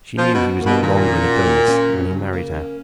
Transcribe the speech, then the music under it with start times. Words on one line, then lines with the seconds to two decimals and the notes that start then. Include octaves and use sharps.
"She knew he was no longer an Adonis when he married her."
0.17 F3 C#4
0.34 B2 F#4
0.61 B2 A#3
0.82 A#2 D#3
1.04 C#4
1.25 F#4
1.46 A#3
1.68 C#4
1.90 F#3
2.11 C#3
2.33 A#3
2.54 C#4